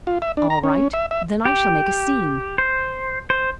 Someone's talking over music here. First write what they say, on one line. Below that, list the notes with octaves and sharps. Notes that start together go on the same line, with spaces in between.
"All right; then I shall make a scene."
F4
E5
D4
A#5
C#4
E5
E5
G4
C5
C5